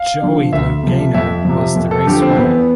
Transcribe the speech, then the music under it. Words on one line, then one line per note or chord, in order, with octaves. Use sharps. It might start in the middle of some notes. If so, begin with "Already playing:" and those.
Joey Logano was the race winner.
Already playing: F5
D3 F3
D2 E5
C3 F3
F2 E5
C3 F3
F2
A4
D3 F3 G4
C4
E2 B3